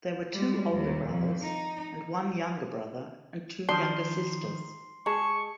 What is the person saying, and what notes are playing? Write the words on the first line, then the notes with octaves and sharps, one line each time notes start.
There were two older brothers and one younger brother and two younger sisters.
G3 G#3
D#2 D#3
F2
D#4
D#3 F3 D4 C6
G#3 G#4 A5 C#6